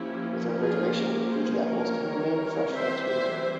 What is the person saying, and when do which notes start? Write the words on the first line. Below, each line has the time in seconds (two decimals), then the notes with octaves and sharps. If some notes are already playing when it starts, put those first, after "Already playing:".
With refrigeration, Fuji apples can remain fresh for up to a year.
Already playing: F3 A#3 C#4 E4 G4
0.61 F4 G#4
0.95 G4 A#4
1.30 G#4 C5
1.65 A#4 C#5
2.01 E3 G3 C4
2.71 C5 E5
3.06 C5 E5